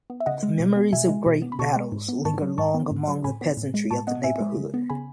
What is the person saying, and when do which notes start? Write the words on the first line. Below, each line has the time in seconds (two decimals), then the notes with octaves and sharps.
The memories of great battles linger long among the peasantry of the neighborhood.
0.10 B3
0.20 E5
0.26 C#3 D#5 F#5
0.43 G#3
0.60 B2
0.76 B3
0.93 B2 E5 G#5
1.09 G#3
1.26 B2
1.42 B3
1.52 B5
1.59 B2 A5 C#6
1.76 G#3
1.92 G#2
2.09 B3
2.25 G#2 A5 C#6
2.42 F#3
2.58 G#2 A5 C#6
2.74 B3
2.91 G#2
3.07 F#3
3.24 A2 G#5 B5
3.41 B3
3.57 A2
3.74 G#3
3.91 A2 A5 C#6
4.07 B3 D#5 F#5
4.24 A2 E5 G#5
4.40 G#3
4.57 C#3
4.74 B3
4.90 C#3 G#5 B5